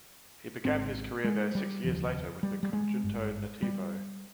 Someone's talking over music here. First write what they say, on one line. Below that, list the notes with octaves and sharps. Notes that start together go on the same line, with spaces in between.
He began his career there six years later with the Conjunto Nativo.
G#1 G#2 C4
G#3
G3
F1 D#2 C#3 F3
G3
G3
G#3
G#1 G2
G3